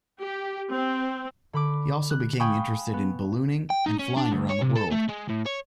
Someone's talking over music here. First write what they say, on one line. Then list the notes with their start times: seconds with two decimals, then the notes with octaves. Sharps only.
He also became interested in ballooning, and flying around the world.
0.19 G4
0.74 C4
1.53 D3 B5 D6
2.10 F#6
2.40 F5 G5 G#5 B5 C#6 D#6
2.93 B3
3.70 G5
3.86 D#4
3.99 C#4
4.17 D4
4.32 D2
4.50 C#5
4.62 C3
4.76 A4
4.92 A3
5.09 G#3
5.29 A2
5.46 C#5